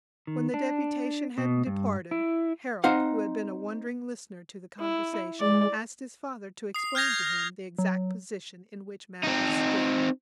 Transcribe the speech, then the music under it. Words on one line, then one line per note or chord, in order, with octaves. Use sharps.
When the deputation had departed Harold, who had been a wondering listener to the conversation, asked his father to explain to him the exact position in which matters stood.
D#3
D4
B2
G2
E4
C4 D#4 C5 F5 F#5
E4
G#3 D5
D#6 C7
F6 G6 G#6 A#6 F7
F#3
C4 D#4